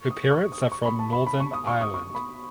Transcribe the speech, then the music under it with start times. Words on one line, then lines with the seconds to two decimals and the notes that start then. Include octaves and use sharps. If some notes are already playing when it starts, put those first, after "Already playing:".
Her parents are from Northern Ireland.
Already playing: C#6
0.11 D#6
0.31 C#6
0.52 D#6
0.72 C#6
0.85 B5
0.99 A5
1.13 B5
1.27 B5
1.40 C#6
1.53 D#6
1.67 C#6
1.81 D#6
1.94 C#6
2.15 B5